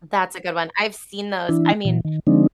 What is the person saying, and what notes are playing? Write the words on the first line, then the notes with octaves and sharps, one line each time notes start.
That's a good one, I've seen those, I mean
E3 D4 E4
A#2 E3
D#3
D3 F3 G#3 C4 D4 D#4